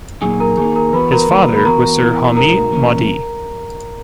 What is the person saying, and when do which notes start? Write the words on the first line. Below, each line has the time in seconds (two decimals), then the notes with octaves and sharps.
His father was Sir Homi Mody.
0.21 A#2 F#3 A#3 D#4 G#4 G#5
0.40 A#4 A#5
0.57 D#3 A#3 D#4 G#4 G#5
0.76 A#4 A#5
0.93 E3 B3 F#4 B4 B5
1.12 A#4 A#5
1.29 D#3 F#3 A#3 D#4
1.56 B5
1.64 E3 B3 F#4 A#4 A#5
2.00 E3 B3 E4
2.36 B2 G#3 D#4 F#4 A#4 A#5
2.72 E3 A#3 C#4